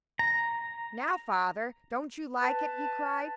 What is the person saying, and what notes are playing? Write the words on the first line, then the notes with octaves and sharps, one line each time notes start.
"Now, father, don't you like it?" he cried.
A#5
B4 A5